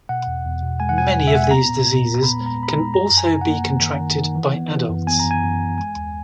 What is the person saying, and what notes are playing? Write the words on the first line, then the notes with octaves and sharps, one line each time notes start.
Many of these diseases can also be contracted by adults.
B2 F#5
E2
E2
B2
G#3 G#5
F#5
B2 G#5
E2
E5
G#3 F#5
G#5
B3 A#5
A#2
A#2
A#2
B3 B5
G#3
A#5
A#2
B5
A#5
G#3
F#2 A#5
F#2
G#5
F#2
F#5
A#3
D#3
D#3
D#3
D#3
E3
B3
E3
F#2
B3 G#5
A#5
F#2
G#5
F#2
F#2
G#3 G#5
D#2